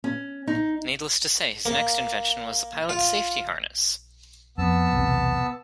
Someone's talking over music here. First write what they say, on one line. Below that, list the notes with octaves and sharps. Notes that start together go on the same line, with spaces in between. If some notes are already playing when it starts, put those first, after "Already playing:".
Needless to say, his next invention was a pilot's safety harness!
C#4
D#4
A#3
F4
F2 B3 A5 E6
B1 E2 C3